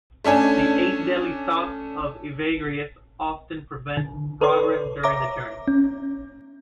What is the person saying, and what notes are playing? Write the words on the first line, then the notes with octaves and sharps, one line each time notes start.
The Eight Deadly Thoughts of Evagrius often prevent progress during the journey.
A3 C#4 D4 G#5
D3
A4 B4 C#5 D5 C6
C#5 E5 A#5 D6 A#6
C#4